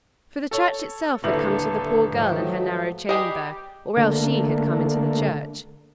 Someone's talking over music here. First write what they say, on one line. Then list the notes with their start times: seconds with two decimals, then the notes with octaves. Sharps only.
For the church itself had come to the poor girl in her narrow chamber, or else she had come into the church.
0.51 A4 C#5
1.24 D#1 D3 E4 A4 B4 E5 F#7
2.10 G#2 D#3 F3 F#3 A3
3.09 G3 G4 G#4 D#5
3.97 D3 A3 A#3